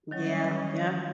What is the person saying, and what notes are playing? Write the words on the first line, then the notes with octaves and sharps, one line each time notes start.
Yeah, yep.
D#3 F#3 G3 C#4 C#5 D#5